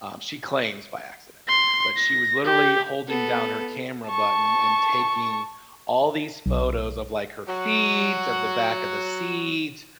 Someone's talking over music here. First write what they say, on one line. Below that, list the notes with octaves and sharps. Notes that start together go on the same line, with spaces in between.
Um, she claims "by accident," but she was literally holding down her camera button, and taking all these photos of, like, her feet, of the back of the seat,
C6
A#6
G4
B3 A4
A5 C#6
B1
F#3 F#4